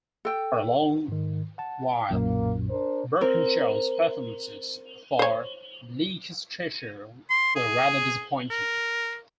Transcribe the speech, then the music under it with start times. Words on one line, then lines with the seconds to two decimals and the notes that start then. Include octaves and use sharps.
For a long while Birkenshaw's performances for Leicestershire were rather disappointing.
0.25 A4 G5
1.08 G#2 D#3
1.58 F#5 A5
2.10 B1 F#2 A#2 A#3
2.69 D4 A#4 C5
3.21 C4 A#4
5.19 C5 C#5
7.30 C6
7.56 G#4
8.51 A#4